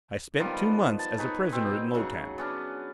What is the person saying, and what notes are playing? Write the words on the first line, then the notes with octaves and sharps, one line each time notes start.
I spent two months as a prisoner in Lo-Tan.
D#3 F3 G3 B3
A5
D#4 G#4 B4 C#5
B2 C4
C#3 F#3 F#5 C#6
B3 C#4 D4